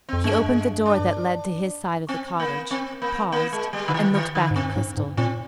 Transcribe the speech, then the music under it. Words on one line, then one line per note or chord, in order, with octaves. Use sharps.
He opened the door that led to his side of the cottage--paused--and looked back at Cristel.
F2 C4
G2 G#3
D4
C4
A#3
C4
A#3
A#3
G#3
G3
D3
D#3
D#3
D3
G#2
G2 C4
G#2
G#2
A#2 C4